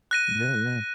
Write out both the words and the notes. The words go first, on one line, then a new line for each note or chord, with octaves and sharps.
Yeah. Yeah.
F#6 A#6 D#7